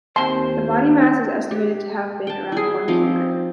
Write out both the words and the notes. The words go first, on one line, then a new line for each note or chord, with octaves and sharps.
The body mass is estimated to have been around one kilogram.
D#2 C4 C5 A5 C6
G4
G5 A5
E4 G#4
F3 C4 D#4 D6